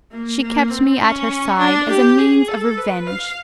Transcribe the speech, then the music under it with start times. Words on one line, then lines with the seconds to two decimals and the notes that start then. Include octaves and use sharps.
She kept me at her side as a means of revenge.
0.11 A#3
0.41 A#3
0.70 C4
1.00 C#4
1.58 D4
1.89 G4
2.18 G#4
2.48 A4
2.77 B4
3.07 F5